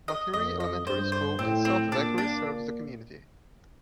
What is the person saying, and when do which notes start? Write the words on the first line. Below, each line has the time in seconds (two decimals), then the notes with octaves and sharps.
Vacherie Elementary School in South Vacherie serves the community.
0.08 D#5
0.33 F2 D#5
0.60 D#5
0.86 G2 C5
1.12 C5
1.39 A2 C4
1.65 C4
1.91 A#2 D4
2.18 D4